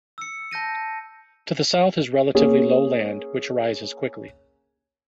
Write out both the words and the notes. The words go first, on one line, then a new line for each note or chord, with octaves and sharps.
To the south is relatively low land, which rises quickly.
E6 C#7
A5 G6 A#6 D#7
A#3 C#4 G#4